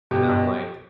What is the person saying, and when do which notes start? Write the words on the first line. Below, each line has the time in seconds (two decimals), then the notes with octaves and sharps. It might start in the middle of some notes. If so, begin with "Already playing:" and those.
And I'm like,
0.11 B2 G4
0.29 B2